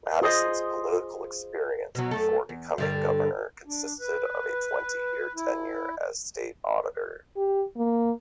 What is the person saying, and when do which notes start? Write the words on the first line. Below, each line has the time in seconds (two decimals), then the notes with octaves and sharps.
Madison's political experience before becoming governor consisted of a twenty-year tenure as state auditor.
0.22 F4 G#4 C5 D#5
1.95 B2 F#3
2.11 F#2 A3 A4
2.49 E2
2.78 G2 D3 G3
3.67 D4
4.00 B4
5.35 E4
7.36 G4
7.77 A#3